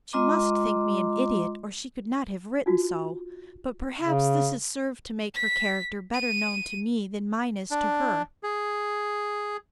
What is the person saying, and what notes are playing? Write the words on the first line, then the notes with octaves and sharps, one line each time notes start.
She must think me an idiot, or she could not have written so; but perhaps this has served to make her character better known to me than mine is to her.
G#3 F4 D#5 A#5 C6 D6
D#4 F4 F#4
C#3
B6
D#7
D4
G#4